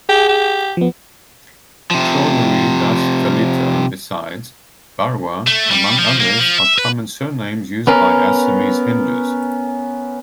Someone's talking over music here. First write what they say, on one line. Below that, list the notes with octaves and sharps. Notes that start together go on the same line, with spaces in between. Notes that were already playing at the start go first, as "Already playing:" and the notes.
Chaudhary, Das, Kalita besides, Barua, among others are common surnames used by Assamese Hindus.
G4 G#4
G4
F3 B3
C3 F3
A3
G3
F3
A#3
F3
E5
B4
B3 C#4 A#4